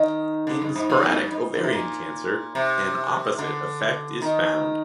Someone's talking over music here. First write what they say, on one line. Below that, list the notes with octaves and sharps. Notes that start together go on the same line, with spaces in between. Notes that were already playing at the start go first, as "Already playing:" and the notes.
In sporadic ovarian cancer, an opposite effect is found.
Already playing: D#3
D3
G2
G#2
A#2
G2
G#2
D3
C3
A#2
C3
D3
D#3